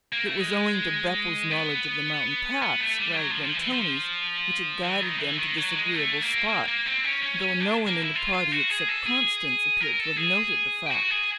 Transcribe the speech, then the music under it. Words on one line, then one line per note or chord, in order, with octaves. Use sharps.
It was owing to Beppo's knowledge of the mountain paths rather than Tony's which had guided them to this agreeable spot; though no one in the party except Constance appeared to have noted the fact.
A#3
A3
G#3
B3
B3
A3
G3
F#3
F3
F3
E3
F3
E3
D#3
E3
D#3
F#3
G#3
A3
A#3
A#3
A#3
C4
C#4
C#4
C#4
D4
A#3
E4
F4
F4
F#4
G#4
A4
G#4
A#4
A4
G#4
G4
F#4
G#4